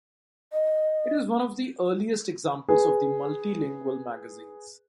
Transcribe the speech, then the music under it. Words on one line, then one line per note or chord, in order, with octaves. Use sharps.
It is one of the earliest examples of the multilingual magazines.
D#5
G#4 B4